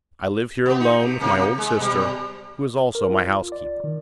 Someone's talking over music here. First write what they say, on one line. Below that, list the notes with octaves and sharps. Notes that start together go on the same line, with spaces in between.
I live here alone with my old sister, who is also my housekeeper.
B3 G4
D#4
C3
C3 A#3 D#4
G#3
B2 G3
A#4
F4
D5
D#3